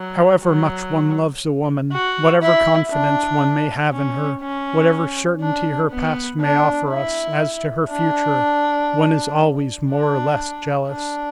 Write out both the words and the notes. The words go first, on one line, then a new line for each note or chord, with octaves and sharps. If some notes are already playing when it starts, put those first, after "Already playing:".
However much one loves a woman, whatever confidence one may have in her, whatever certainty her past may offer us as to her future, one is always more or less jealous.
Already playing: F#3
F#3
F#4
E4
D4
C#4
C#4
D4
B3
D4
E4
D4
D4
D4